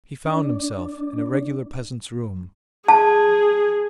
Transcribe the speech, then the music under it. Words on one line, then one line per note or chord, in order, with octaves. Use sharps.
He found himself in a regular peasant's room.
D4
G#4 A5